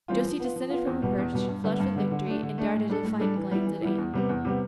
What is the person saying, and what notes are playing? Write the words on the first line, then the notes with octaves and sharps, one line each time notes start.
Josie descended from her perch, flushed with victory, and darted a defiant glance at Anne.
E3 G3 C4 F4
F3
B3 F4
F3
B3 F4
E2
B2 G3 B3
E2
B2 G3 B3
G2
D3 G3 B3
G2
D3 G3 B3
D3
A3 D4
D3
A3 D4
A2
G3 D4 A4
A2
G3 D4 A4
E3
G3 B3 E4
E3
G3 B3 E4
E2
C3 G3 B3
E2
C3 G3 B3